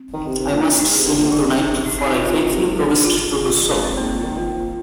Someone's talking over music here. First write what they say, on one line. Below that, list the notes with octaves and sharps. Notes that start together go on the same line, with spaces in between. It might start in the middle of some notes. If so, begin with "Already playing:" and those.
I must see him tonight, for I faithfully promised to do so.
Already playing: C4
D#3
C3
C3
A#2
F2
G#2 D#4
G#4
C3
A#4
A#2 A#3
C3 F3
D#4
D#4
F4
F4
D#3 F4
C3
G#2
G#2
G#4
F4
G#4
F4
F3
G#3
C4
G#2 A#3
C4
A#2 A#3
D#3
F3 A#3
F3